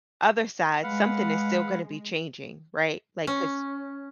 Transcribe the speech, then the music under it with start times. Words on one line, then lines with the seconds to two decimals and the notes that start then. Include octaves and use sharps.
other side, something is still gonna be changing, right, like, 'cause
0.83 G#3 B4 F5 F#5
3.27 C#4